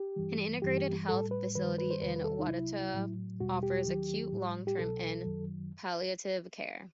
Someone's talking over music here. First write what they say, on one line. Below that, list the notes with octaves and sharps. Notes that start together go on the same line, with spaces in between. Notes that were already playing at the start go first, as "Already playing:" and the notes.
An integrated health facility in Wawota offers acute, long-term and palliative care.
Already playing: G4
G2 E3 G3
G2 E3 G3 G4
A2 G3 A4
B4
G2 D#3 G3 B4
B4
C5
E2 C3 D#3 G3 B4
B4
A4
D#4
C2 C3 F#3 E4
A2 F#3
E2 B2 G3 F#4
G4
D#2 D#3 F#3
A2 G3
G4
C2 B2 F#3 A4
F#2 D#3 F#3